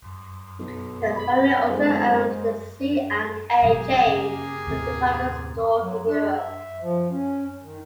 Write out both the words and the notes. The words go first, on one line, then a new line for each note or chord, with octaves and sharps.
The family also owns the C and A chain of department stores in Europe.
B1
B5
D1 G#3 C5
G#1 B2 F#3 A#3 G4 G#4
C#3
D#2 A2 C3
F#3
D4
E5
F3
C#4
D#3